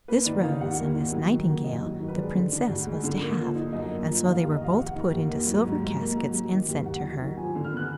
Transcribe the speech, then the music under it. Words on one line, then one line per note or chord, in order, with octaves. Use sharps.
This rose and this nightingale the Princess was to have, and so they were both put into silver caskets and sent to her.
A#3 B4
D#3 D5
D#4 F5
D#2 F#5
A#3
D#3
F#3
D#3
A#3
F#2 D#5
F#3
D#3
B4
G#3 D5
D3
D4
D2
G#3
D3
A#3
F3
D#4
F#2 D#5
A#3
F3
D#3 F5
D#2
D#5
F1 F5
F1 F#5
D#3
D#2
A#3
F#3
G#2
G#2
A#3
F#3
F#3
D#3
D#2
D#2 F#5
F#3
D#3
F3 G#5
D3
F6
B3 F#6